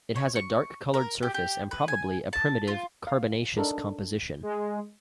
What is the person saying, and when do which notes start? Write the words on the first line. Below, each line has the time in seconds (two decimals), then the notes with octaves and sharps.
It has a dark-colored surface and probably a primitive carbonaceous composition.
0.16 C#5
0.36 C#6
0.94 A#4
1.23 G4
1.34 G4
1.71 B4
1.88 G#5
2.33 A5
2.67 F4
3.07 F5
3.57 D4 D#4 A4 A#4
4.43 G#3